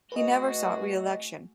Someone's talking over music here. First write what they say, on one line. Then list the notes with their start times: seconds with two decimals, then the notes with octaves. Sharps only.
He never sought re-election.
0.12 A3 F#4 G#4 B4 D#5